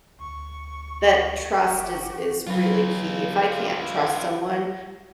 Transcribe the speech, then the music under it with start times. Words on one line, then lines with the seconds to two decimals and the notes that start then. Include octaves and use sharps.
that trust is is really key. If I can't trust someone,
0.20 D2 C#6
1.61 F#1 F#4 G4
2.47 F#3 F4 B4